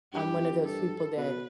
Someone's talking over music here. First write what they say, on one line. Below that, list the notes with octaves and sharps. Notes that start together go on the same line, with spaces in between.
I'm one of those people that
G2 G4
F2
G2 A4
B2 B4